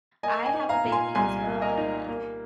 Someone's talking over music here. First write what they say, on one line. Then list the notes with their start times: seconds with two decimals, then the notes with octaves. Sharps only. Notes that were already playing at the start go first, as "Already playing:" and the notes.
I have a baby as well, and
0.23 A#3 D#5 G#5
0.46 D#5 G#5
0.54 D#4
0.69 F5 A#5
0.84 A#2
0.92 G#5 C6
1.15 C2 G#5 C6
1.46 A#3
1.61 A#4 D#5
1.78 D#4
2.08 A#3